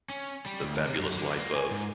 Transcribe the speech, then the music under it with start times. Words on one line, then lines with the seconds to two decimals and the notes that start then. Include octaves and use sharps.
The Fabulous Life of...
0.10 C#4
0.46 G3
0.62 D2
0.86 C3
1.00 F#2
1.19 D3
1.38 A#3
1.55 G#5
1.71 G#2